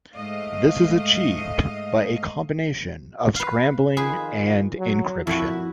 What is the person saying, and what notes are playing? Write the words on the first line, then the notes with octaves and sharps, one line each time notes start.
This is achieved by a combination of scrambling and encryption.
G#2 A3 D#5 F5
B4 F5
F2 D#3 F4 G#4 B4 C5
F#3
F2 A#2 E4 F#4